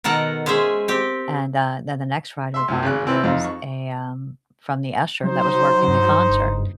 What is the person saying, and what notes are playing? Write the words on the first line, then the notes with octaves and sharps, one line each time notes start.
And, uh, then the next ride we got was a, um from the usher that was working the concert.
B2 D#3 A4 A#4 F#5
G#3 C#4 G#4 C5 E5
C4 G4
E5 C6
F#2 A#2
G#1 C#3 F#6
G#1 C4 E4 B4
F2 D#4 F4 F5
C#6
F#3 D#4 C5
G2
F#1